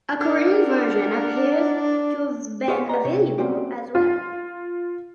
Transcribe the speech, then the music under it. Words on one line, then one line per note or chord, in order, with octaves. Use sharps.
A Korean version appears to have been available as well.
D4 A#4 F#5
G4 G#4 C5 C#5 D#5 F5
B4 D5 D#5 A#5 C6
C3 C4 C#5
A#3 C4 C#4 F#4 G4
F4